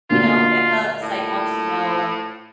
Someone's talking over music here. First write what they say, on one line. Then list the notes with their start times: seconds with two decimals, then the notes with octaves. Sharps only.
you know, if a site wants to know,
0.10 D2 A#2 F4 F#4
1.02 A2